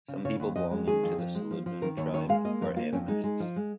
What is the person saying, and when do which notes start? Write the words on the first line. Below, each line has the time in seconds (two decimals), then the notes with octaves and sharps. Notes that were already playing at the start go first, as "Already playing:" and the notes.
Some people belonging to the Suludnun tribe, are animists.
0.08 C#3
0.25 C#3 C#5
0.40 D#2
0.56 F2 D#5
0.71 G#3
0.87 D#3 G#4
1.03 F2
1.18 F3
1.35 G#3
1.51 F3
1.66 F3
1.82 D#3 A#4
1.97 D#2 C#5
2.14 D#3 C#5
2.29 G#3 F5
2.45 A#3 D#5
2.61 F2 A#4
2.76 A#3 F4
2.93 F2 C#4
3.08 G#3 D#4
3.24 G#3
3.40 F3
3.56 G#3